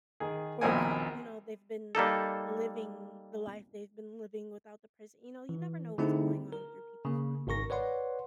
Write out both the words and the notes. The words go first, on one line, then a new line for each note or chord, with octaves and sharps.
or that, you know, they've been living the life they've been living without the person you know, you never know what's going on through people's minds,
D#3 G#4
A#1 D#2 B2 C4 A#4 G#5
G3 A#3 D#4 A4
E3
D3 A3 C4 D#4 E4 G#4
A#4
C#3 A#3
G#1 G#2 A#4 C#6 A#6
B4 C#5 D5 F#5 C6